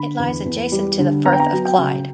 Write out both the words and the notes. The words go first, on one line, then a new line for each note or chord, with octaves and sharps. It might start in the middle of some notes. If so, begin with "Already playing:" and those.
It lies adjacent to the Firth of Clyde.
Already playing: D3 B5
E2
E2
G3
D3
B3 A#5
G5
A#5
F#3
G5
C#3